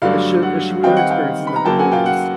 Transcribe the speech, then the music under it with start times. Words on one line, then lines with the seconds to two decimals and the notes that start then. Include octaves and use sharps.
it should it should be their experiences, not the beliefs,
0.02 G2 D3 F#3 A3 D4 F5
0.43 F#5
0.83 D#3 G3 C4 D#4 F5 G5
0.97 F#5
1.10 F5 G5
1.47 B5
1.56 A#5
1.64 F#2 C#3 F#3 A#3 G5 A5
1.79 F#5 G#5
1.92 F5 G5
2.06 F#5